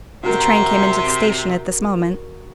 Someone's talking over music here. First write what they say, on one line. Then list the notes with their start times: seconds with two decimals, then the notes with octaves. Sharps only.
The train came into the station at this moment.
0.23 C3 F#4 A#4